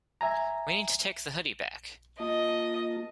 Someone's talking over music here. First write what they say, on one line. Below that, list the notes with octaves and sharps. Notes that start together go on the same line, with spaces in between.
We need to take the hoodie back!
E5 G#5 A#5
A#3 F4 D#5 A5